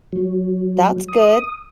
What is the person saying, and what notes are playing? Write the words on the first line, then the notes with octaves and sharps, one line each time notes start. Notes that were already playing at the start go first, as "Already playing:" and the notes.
That's good.
F#3
D#6